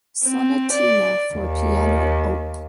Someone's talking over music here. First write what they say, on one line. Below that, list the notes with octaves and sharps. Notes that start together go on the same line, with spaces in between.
Sonatina for piano Op.
C4
D5
D#2